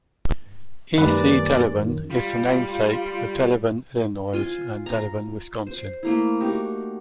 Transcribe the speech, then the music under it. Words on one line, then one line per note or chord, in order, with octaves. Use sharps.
E. C. Delavan is the namesake of Delavan, Illinois and Delavan, Wisconsin.
F#2 D#3 G3 G#3 A#3 B4 D5
G3 F4
F4 G#5 C6
A#5
C5
A3 A#3 E4
D#4 F#4 G4